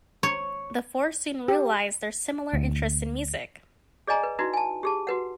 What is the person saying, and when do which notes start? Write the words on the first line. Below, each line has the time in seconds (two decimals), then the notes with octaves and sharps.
The four soon realized their similar interests in music.
0.23 C#5
1.48 G4
2.53 D2
4.07 G#4 D5 D#5 G#5 A#5
4.23 B4
4.39 D#4 E4 F#4 B4
4.53 G#5 A5
4.83 G4 G#4 A5
5.07 F#4 B4 F#5